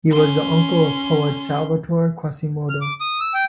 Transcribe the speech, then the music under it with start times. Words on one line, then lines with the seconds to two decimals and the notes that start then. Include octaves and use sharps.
He was the uncle of poet Salvatore Quasimodo.
0.11 C#4 C6
2.69 F6
2.82 D6
3.01 D#6
3.20 E6
3.34 G5